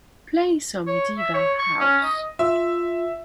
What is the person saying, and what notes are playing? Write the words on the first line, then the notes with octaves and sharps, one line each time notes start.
Play some diva house.
C#5
E5
C#5
C#6
C#4
D#5
F4 E5 E6